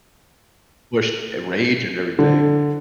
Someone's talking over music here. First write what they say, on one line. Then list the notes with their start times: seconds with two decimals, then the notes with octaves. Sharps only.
push, uh, rage and everything.
2.19 D3